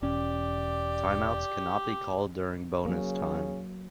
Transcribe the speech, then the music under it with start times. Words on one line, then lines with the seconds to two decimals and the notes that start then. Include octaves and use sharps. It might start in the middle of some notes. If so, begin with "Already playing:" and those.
Timeouts cannot be called during bonus time.
0.02 E1 C#4 G4 D5
2.85 C#3 F#3 A#3